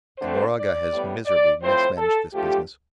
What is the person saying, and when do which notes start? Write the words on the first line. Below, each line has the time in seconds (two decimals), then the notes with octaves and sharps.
And Moraga has miserably mismanaged this business.
0.18 D3 A3 C4 C5
0.54 D5
0.91 A2 G3 B3
1.26 D5
1.62 A2 F3 C4 C5
1.97 A4
2.33 D3 F3 A3 G4